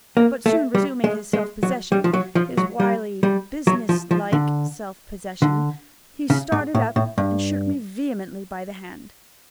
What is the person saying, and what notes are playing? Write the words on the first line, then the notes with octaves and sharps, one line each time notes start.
But soon resuming his self-possession--his wily, "business-like" self-possession--he started up, and shook me vehemently by the hand.
A#3
A3
G3
G#3
G#3
F#3
G3
F3
F#3
F3
F#3
G3
G3
F#3
F3
F3
D3
D3
C#3
G#2
A2
A2
G2